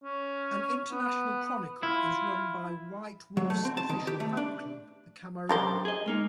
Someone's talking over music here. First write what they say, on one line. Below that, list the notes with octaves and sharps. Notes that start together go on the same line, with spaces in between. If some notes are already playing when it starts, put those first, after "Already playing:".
An international chronicle is run by White Wolf's official fan club, the "Camarilla".
C#4
B3
E4 F4
F#3
A3
C4
A5
D#3
G4
A3
D4
F#2 D4 G4 A#4 C5
G#4 D#5
G#3 A#3 D#4